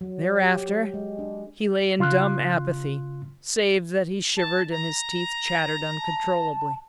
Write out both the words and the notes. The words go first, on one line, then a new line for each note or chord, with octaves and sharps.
Thereafter he lay in dumb apathy, save that he shivered and his teeth chattered uncontrollably.
F#3
G4
G#3
D4
C#3 F4 C6 F6 F#6
A5
A#5
A5